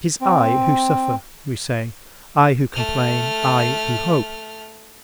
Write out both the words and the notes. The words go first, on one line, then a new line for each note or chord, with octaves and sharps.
It is I who suffer, we say, I who complain, I who hope.
C4
A3 F6